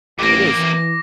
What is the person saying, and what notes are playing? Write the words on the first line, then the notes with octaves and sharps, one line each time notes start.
It is.
A1 F2 A#3 D6 A#6
E3